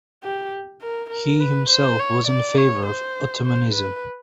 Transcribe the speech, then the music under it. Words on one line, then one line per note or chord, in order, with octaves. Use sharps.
He himself was in favour of Ottomanism.
G4
A#4
A#4
B4
C5
C#5
D5
C#5
C5
C5
B4